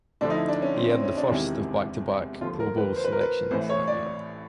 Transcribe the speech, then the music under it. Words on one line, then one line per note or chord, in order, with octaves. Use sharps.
He earned the first of back-to-back Pro Bowl selections that year.
D2 D3 F3 D4
D#4
E4
D4
C#4
C4
C4
C#4
D4
E1 E2 C3 D#3 E4
D#2 D3 F3 F4
A#4
B4
C5
B4
A#4
B4
A1 A2 E3 C5
C#5
D5